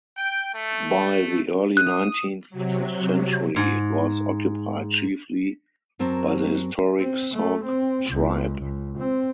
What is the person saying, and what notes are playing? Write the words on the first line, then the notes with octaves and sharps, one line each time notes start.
By the early nineteenth century, it was occupied chiefly by the historic Sauk tribe.
G5
A3
D#6 F#6
C3 F#3
G#2
F#2 F#3 C4 A#4 A5
C4
A3
C4
C#2
C#2
C4